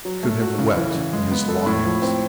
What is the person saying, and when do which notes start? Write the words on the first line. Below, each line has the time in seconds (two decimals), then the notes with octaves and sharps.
He could have wept in his longings.
0.05 F#3
0.23 A3
0.41 F#4
0.58 C#3
0.77 E3
0.94 C#3
1.13 G#3
1.31 B3
1.48 A4
1.67 A2
1.84 F3
2.02 C4